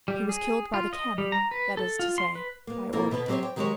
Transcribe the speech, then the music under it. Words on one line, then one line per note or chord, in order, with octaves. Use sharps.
He was killed by the cannon, that is to say, by order.
G3
G#4
F4
D#5
G3
A#5
B4
A4
F4
C6
B4
A#3 B3
F2 B2 A#3 E4 A4 A#4
B2 B3 B4 A5
F#3 C4 G4 C5 C#5 E5
G5
D#3 F#3 G#3 G4 A#4 C#5